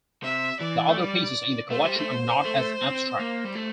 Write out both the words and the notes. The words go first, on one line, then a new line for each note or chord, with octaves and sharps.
The other pieces in the collection are not as abstract.
C3 E5
E3 D5
A3
G3
A3 C5
G3
A3
A3
C4
A#3
G3
A3